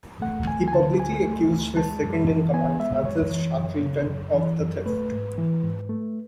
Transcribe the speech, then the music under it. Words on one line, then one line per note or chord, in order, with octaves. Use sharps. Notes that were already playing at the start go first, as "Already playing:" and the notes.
He publicly accused his second in command, Francis Shackleton, of the theft.
A3 F#5
D2 G#5
G#5
D3 A5
D2 G#5
A3
D2
G#3 A5
F#2
E3
B3 G#5
G#3 E5
F#2 C#5
E3
F#2
C#3
F#2
E3
F#2
A3 B4
G#2
E3
G#2
A3